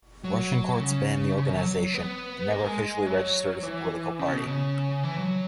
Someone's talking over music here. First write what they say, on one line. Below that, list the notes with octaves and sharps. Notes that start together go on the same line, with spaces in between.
Russian courts banned the organization: it never officially registered as a political party.
F#3
C#3
C#3
B2
F#3
B3
A#3
G#3
F#3
E3
C#3
B2
C#3
E3
F#3